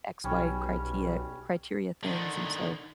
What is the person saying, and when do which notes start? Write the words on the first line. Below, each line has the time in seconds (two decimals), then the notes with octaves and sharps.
X-Y criteria- criteria things and so
0.24 B1 G3 C#4 C#5
2.03 D3 D#3